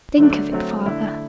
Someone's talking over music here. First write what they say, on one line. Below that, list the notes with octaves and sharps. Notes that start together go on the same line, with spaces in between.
Think of it, father.
D3 F#3 A3 D4
F#3 A3 C4
D3 A3 E4